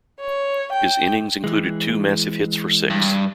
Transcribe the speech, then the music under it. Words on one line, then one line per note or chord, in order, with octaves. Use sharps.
His innings included two massive hits for six.
C#5
G5
E3 G#3
G2